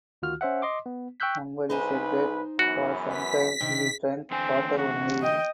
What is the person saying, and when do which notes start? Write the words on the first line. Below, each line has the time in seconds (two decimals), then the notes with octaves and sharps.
Somebody said that for sometime he drunk water only.
0.22 D2 D#3 F4 F#4 F6
0.41 C#4 C5 E5 F#5
0.62 D#5 C6 D6
0.86 B3
1.20 G5 C#6 E6 F#6 G6 B6
1.70 C2 D#4 B4 C5 G#5
2.59 F#2 E3 B3 F#4
3.08 B6
3.60 C3 D#3 D4
4.31 E2 D3 C4 G#5
4.77 F#4
5.22 D#5 G5